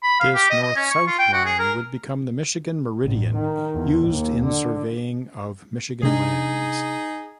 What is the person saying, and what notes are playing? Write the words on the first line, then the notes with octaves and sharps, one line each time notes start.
This north-south line would become the Michigan Meridian used in surveying of Michigan lands.
B5
F5
G4
D#5
D#5
C#4
C#6
F4
G5
F#4
G#4
A#4
A1
D#3
E2
D#2
D3
C3 D4 D#4 G#4